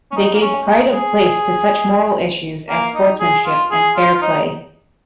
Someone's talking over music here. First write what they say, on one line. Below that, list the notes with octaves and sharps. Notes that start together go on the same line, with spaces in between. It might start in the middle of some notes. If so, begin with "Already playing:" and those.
They gave pride of place to such moral issues as sportsmanship and fair play.
C#4
D#4
A#3
C#4
D#4
G#4
A#3
D#4
G#4
F4
G#4
F4
F4
D#4